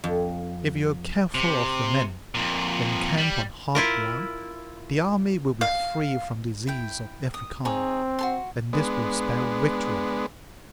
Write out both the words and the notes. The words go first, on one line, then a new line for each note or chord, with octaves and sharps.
If you are careful of your men, and camp on hard ground, the army will be free from disease of every kind, and this will spell victory.
F2
C3
F2 A#2
G3
E4 F4 A#4
F5
E4 G5
D#6
C4 D#4 G#4 C#5
F#4 A4 C6
G#3 B3 D4